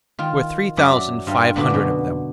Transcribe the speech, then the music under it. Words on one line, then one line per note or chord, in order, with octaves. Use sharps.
There were three thousand five hundred of them.
D#3 F4
F#2 F#3 D5 E5
G2 F4 D#5
A#2 D3 B3 D4 F#4
F#2 B2